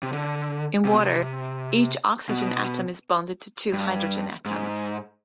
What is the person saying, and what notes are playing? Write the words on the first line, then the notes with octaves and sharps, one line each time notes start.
In water, each oxygen atom is bonded to two hydrogen atoms.
C3
D3
C3
B2
C3
B2
G2
G#2